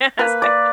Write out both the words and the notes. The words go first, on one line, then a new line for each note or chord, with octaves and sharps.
It's like
A#3 B4
D5